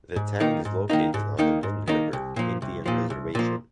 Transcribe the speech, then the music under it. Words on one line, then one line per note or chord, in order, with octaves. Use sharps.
The town is located on the Wind River Indian Reservation.
G#2
D#3 A#3 D#4
G#2
D#3 A#3 D#4
G#2
D#3 A#3 D#4
G#2
D#3 A#3 D#4
C2
A#2 F3
C2
A#2 F3
C2
A#2 F3